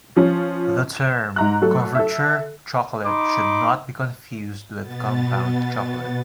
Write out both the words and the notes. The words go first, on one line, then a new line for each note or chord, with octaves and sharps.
The term "couverture chocolate" should not be confused with compound chocolate.
F3 C#4
E7
G#2 A#5 F#6
F#3 A3 A4
A4 E5
D#4 B5 C6 D6
B2 B3 A6